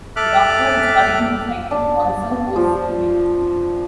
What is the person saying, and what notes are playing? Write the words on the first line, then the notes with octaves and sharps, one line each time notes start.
The Rockford Historical Society also hosts events.
A4 E5 D6 F6 F#6
D4
F3